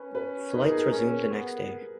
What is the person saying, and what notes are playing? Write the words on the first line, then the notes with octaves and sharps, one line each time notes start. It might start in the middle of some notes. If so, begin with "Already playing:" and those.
Flights resumed the next day.
Already playing: C#4 B4
B4
D#4 B4
A#4
G#4
A#4
C#4
B3